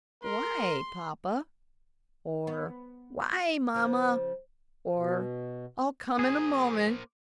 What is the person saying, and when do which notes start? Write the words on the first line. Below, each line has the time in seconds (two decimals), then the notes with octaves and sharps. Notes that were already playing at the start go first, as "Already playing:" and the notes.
"Why, papa?" or "Why, mamma?" or "I'll come in a moment."
0.24 A#4 C6
2.47 B3
3.74 C#3 F3
4.94 B2
6.19 A#3 G#4 C5